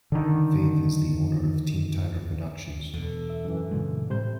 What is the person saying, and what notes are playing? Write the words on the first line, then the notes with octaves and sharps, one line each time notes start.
Faith is the owner of Team Tyler Productions.
D3 D#3
E2 B2 D3
E5
F#2 E3
A#2 C#3 G#3
A2 C3 G3 C5 G6